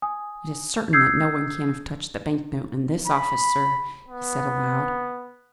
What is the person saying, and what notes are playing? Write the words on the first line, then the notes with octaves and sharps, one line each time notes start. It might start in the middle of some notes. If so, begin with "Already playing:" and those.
"It is certain that no one can have touched the bank-note in this office, sir," he said aloud.
G#5 D#6
D#6 E6 G6 G#6 C7
B5
B3